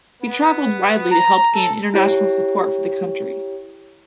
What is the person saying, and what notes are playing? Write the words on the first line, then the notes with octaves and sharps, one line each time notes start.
He traveled widely to help gain international support for the country.
B3
A#5
A4
E4 G4 C#5